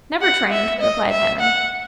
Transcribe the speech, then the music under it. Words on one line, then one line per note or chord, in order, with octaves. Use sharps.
"Never trained," replied Henry.
F#5
E5
D#5
E5
F#5